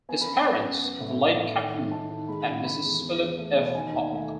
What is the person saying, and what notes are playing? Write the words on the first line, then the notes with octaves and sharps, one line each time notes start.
His parents are the late Captain and Mrs. Phillip F. Hauck.
B3 G#5
B5
F#2
G#5
B3 F#5
F#2
B3
A2
A2
A2
D#3
D#3
D#3 A5
D#3
G#3 B5
C#3
C#3 B5
E2
E2
E2
A3
B2
D#3 G#5
D#2
A3